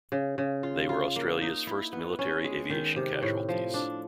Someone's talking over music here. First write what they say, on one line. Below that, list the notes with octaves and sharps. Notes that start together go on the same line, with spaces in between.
They were Australia's first military aviation casualties.
C#3
C#3
F4
F4
A#3
D#4
E4
B3
C#4
G#3
D#3
C3
A2
F3
D4